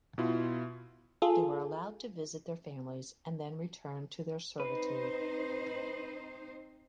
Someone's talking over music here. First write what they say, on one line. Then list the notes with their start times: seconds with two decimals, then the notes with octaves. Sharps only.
They were allowed to visit their families and then return to their servitude.
0.18 B2 E4 F4
1.22 F4 G#4 A4
4.60 C4 D#4 B4 C5